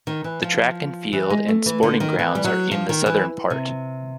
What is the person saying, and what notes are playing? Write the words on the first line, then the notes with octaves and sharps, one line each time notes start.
The track and field and sporting grounds are in the southern part.
D#3
E3
F3
E3
G#3
A3
E3
D3
D#3
E3
G3
F#3
F3
D#3
E3
C3